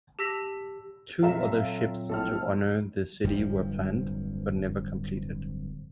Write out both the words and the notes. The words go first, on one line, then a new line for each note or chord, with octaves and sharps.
Two other ships to honor the city were planned, but never completed.
G4 A5 E6 A#6 B6 F7
A#2 F#3 C4 F4 A4 E5 A#5 E7
A#1 A2 A4 A5 F6
D1 G2 F3